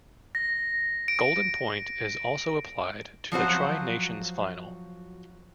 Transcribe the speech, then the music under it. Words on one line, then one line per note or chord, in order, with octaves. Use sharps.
Golden point is also applied to the Tri-Nations final.
A#6
D7
F3 F#3 F#4 C5